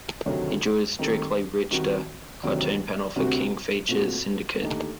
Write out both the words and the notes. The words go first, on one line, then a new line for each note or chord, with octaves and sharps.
He drew his "Strictly Richter" cartoon panel for King Features Syndicate.
D2 C3 D#3 F#3 A3
D#3 G3 C4 D#4 A4
D#3 G3 C4 F#4 A#4
D2 C3 D#3 F#3
D2 C3 G3 C4 F#4
A#2 A3 C4 F#4
D#2 D3 A3 D#4 G4